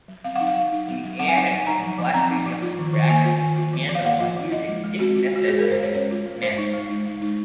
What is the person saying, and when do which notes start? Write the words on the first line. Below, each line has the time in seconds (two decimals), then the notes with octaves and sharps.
The added complexity of the brackets is handled by using "if necessary" matches.
0.08 F#3
0.24 C4 F5
0.35 F#5
0.41 D#4
0.47 F5
0.56 F#3
0.72 D#4
0.88 F#3
1.04 F#3
1.19 C4 F#5
1.28 G#5
1.36 D#4 F#5
1.52 F#3
1.67 D#4 A#5
1.83 F3
1.98 F3
2.14 C4 A#5
2.31 D#4
2.46 F3
2.62 F4
2.78 D#3
2.93 D#3
3.10 A#3 G#5
3.25 F4
3.41 D#3
3.58 F4
3.73 F3
3.89 F3
3.95 F5
4.05 A#3 F#5
4.20 F4
4.37 F3
4.52 F4 D#5
4.68 G#3
4.84 G#3
4.99 C4 F#4
5.15 F4
5.31 G#3 F#4
5.47 F4 G#4
5.59 A#4
5.63 G#3
5.71 C5
5.80 G#3 C#5
5.95 C#4 C#5
6.11 F4
6.26 G#3
6.42 G#3 C5
6.58 D#4
6.73 G#3
6.90 D#4
7.06 G#3
7.22 D#4